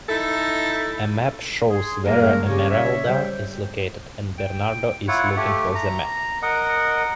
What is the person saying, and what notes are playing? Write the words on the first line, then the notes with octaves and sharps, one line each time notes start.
A map shows where Emeralda is located, and Bernardo is looking for the map.
D#4 E4 A4
G#4 C6
G#2 G3 G#3 A#3 A#4
G2 C#3
C#3 G3 G4 C#5
C#5 E5
G3 C5 E5 G5
G5
E4 F4 C#5 F#5
A3 G4
A#5
A#4 D#5 F#5